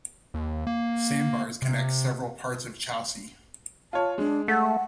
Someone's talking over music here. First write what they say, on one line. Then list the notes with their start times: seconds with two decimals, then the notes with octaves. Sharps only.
Sandbars connect several parts of Chausey.
0.34 D#2
0.67 A#3
1.62 C3
3.93 F4 C#5 A5
4.18 G#3 D4
4.48 A3 F#5